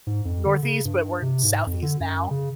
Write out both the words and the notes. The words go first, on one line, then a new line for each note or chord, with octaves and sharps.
Northeast, but we're Southeast now.
G#2
F2
D3
C#3
G2
C3
G#2
F2
D3
F#2
C#3